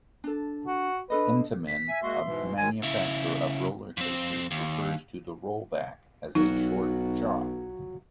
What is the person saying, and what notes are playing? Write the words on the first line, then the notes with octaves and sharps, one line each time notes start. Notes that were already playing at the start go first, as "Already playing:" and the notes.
Intamin, a manufacturer of roller-coasters, refers to the "rollback" as a "short shot".
D4 A4
F#4
D4 A4 B4 D#5
B6
E5 G#5
G#3 A#3 F#4 C6
G#2 B2 E3
D#3 F#3 G#3 G#5
C#3 E4
F2 C4
D#2
B1 F#3 D#4 F4 F#4